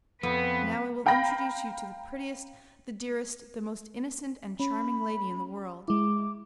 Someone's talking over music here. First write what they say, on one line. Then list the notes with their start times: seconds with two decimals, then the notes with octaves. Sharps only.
Now I will introduce you to the prettiest, the dearest, the most innocent and charming lady in the world.
0.23 F2 B3 B4
1.06 F5 G5 A#5 B5 A#6
4.60 C#4 B5
5.88 G#3 E4 D6